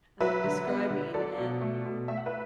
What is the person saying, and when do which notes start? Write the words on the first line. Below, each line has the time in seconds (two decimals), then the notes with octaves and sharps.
uh, describing, and
0.20 F#3 B4 E5
0.44 D3
0.67 B3
0.90 D3
1.14 F#3 A4 D5
1.38 B2
1.61 A3
1.85 B2
2.08 A3 E5
2.17 F#5
2.26 B4 E5